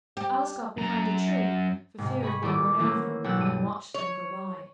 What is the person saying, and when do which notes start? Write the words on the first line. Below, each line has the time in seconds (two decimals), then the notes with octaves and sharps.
Alice got behind a tree, for fear of being run over, and watched them go by.
0.17 G4
0.77 F#2 A#5
1.98 G#2 C3
2.23 G#4 B5 C#6 B6
2.42 D#1 E4 G#4 A4 D6
2.79 E3 A3 A#3 C#4 E4
3.24 B1 F#4 A4 E6 F#6
3.37 G2 D#7
3.94 C#5